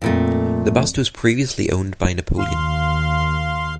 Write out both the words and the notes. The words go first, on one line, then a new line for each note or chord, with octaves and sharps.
The bust was previously owned by Napoleon.
F2 A#2 A3
D#2 F5 C6